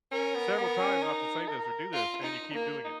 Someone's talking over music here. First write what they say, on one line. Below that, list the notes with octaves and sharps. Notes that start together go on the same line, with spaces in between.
"several times not to say this or do this, and you keep doing it."
C#4 A#4
B3
B3
C#4
D#4
A#4
F4
D#4
A#3
D#4